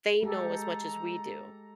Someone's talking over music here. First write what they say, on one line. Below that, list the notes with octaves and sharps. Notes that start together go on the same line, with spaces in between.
they know as much as we do
G#3 G4 A4 A#5